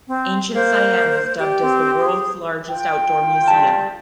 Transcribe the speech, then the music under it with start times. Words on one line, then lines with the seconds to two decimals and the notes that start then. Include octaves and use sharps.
Ancient Siam is dubbed as the world's largest outdoor museum.
0.08 C4
0.55 A#3 C5
1.40 G4 D5
1.61 C4
2.00 G#4
2.70 F4 G5
3.48 G3 A5